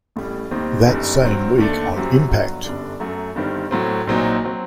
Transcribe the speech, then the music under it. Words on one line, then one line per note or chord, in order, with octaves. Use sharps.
That same week on Impact!
A1 A2 G3
D#2 D#3 G3 C4 D#4
G1 F#2 D#3 G3
G2 F#3 C4
D#2 D3 A3 D4 A4
F#2 F#3 C4 G4
G1 G2 F#3
G1 F#2 D3 G3 D4
F#2 F#3 A3
G1 G2 D#3 G3 C4
A2 F#3 C4
A#1 A#2 F#3 C4 D#4
F#3 C4